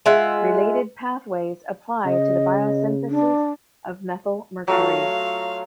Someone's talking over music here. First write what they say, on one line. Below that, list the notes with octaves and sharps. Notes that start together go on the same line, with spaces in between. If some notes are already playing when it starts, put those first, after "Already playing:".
Related pathways apply to the biosynthesis of methylmercury.
G#3 F4 E5 F#5
C#3 D#5
D4
F#3 A3 F4 F5